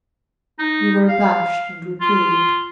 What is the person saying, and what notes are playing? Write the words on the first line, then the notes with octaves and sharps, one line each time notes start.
We were abashed and reproved.
D#4
F5
F4